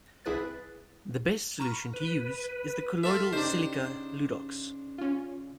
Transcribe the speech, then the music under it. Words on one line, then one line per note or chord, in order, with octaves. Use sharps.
The best solution to use is the colloidal silica, Ludox.
C2 E4 G#4 B4 F#6 A6
A#5 B5 C#6 F6
B4
F4 A4 E5
C#3 D4 D#4 G4 C5
C#4 F4